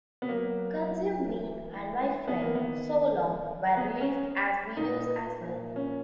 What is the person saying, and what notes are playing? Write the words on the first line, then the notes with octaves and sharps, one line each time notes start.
"Consume Me" and "My Friend, So Long" were released as videos as well.
B3
F#3 A#3
F#3
E3
D#3 B3
A#3
B3
B3
C#4
A#2 D#4
A#2
C#4